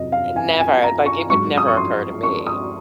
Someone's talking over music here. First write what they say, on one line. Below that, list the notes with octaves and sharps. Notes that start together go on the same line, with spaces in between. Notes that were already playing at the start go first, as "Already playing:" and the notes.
Eh, never. Like, it would never occur to me.
Already playing: F2 C3 F#3 D#5
F5
G#5
G#5
A#5
C#6
G#2 F#3 C#6
D#6
C#6
C6
C#6
D#6